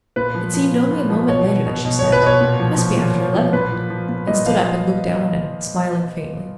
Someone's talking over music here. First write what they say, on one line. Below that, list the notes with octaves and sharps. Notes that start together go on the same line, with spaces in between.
It seemed only a moment later that she said: "It must be after eleven," and stood up and looked down on him, smiling faintly.
A#2 B4
F3
F3
A#2
A#2
F3
B2 C#5
B2
B2
B2
B2 C#5
B4
B2 C#5
A#2
F3
F3
A#2
A#2
F3
A#2 B4
F3
F3
A#2
A#2 D#5
F3 F5